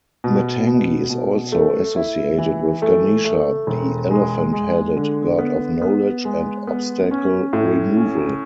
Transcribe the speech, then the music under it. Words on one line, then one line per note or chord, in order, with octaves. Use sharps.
Matangi is also associated with Ganesha, the elephant-headed god of knowledge and obstacle removal.
B2
B2
B2
A3
E4
E3
A3
A3
E1
G#3
G#3
D3
B3
B3
G#3
B3
C#4
A2
C#4